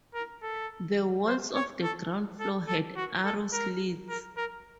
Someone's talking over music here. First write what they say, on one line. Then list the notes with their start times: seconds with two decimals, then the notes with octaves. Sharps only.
The walls of the ground floor had arrowslits.
0.14 A#4
0.43 A4
1.27 C5
1.55 C#5
1.83 A4
2.40 A4
2.68 A4
2.97 F#4
3.25 A4
3.53 A#4
4.09 A#4
4.37 A#4